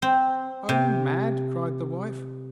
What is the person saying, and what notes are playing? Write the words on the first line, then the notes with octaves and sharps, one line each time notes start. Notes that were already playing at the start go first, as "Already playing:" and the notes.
'Are you mad?' cried the wife.
C4
C3